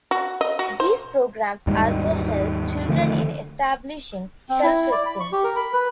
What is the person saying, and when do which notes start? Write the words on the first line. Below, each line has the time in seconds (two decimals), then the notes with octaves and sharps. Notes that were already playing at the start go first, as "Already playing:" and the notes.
These programs also help children in establishing self-esteem.
0.11 F#4
0.41 D#5
0.59 F#4
0.80 C5
1.67 D#2 G#2 G3 G#3
2.89 D3 D#3 F3 A3
4.49 C4
4.63 E4
4.92 D5
5.06 B5
5.20 C#6
5.32 G4
5.44 A#4
5.56 B5
5.73 B4